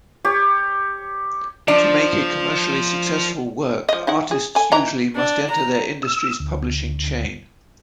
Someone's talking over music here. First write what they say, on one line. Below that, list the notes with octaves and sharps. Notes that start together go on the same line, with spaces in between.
To make a commercially successful work, artists usually must enter their industry's publishing chain.
G4 C#5
F3 D4 D5
F3 D#5
D#4 E4 F#5
G#4
A4 G#5
E3 D#5 A#5
D4
A#5
E6
D2